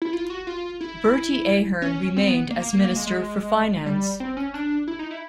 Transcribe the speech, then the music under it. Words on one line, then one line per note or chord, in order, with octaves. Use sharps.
Bertie Ahern remained as Minister for Finance.
E4
F4
F#4
F4
E4
C#4
C4
B3
A#3
A#3
A#3
A#3
G#3
G#3
G3
C4
C#4
D4
E4
D#4
E4